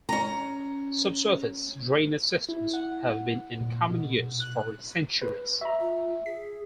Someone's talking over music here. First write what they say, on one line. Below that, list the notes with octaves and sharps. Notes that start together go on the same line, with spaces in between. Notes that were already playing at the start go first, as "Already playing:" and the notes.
Subsurface drainage systems have been in common use for centuries.
C#4 A#5
E4
F#5
A#2
B2
F#6
B4
F#4 D#5 E5 A#5
F4
G#4 B6